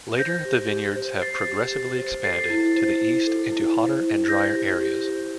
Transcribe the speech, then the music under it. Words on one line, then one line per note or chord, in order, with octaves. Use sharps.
Later, the vineyards have progressively expanded to the east into hotter and drier areas.
C5 G6 A#6
G4
G4
C5
C5 A6 C7
G4
G4
C5
A4 A6 C7
E4
C5
E4
A4
E4
C5
E4
C5 G6 A#6
G4
G4
C5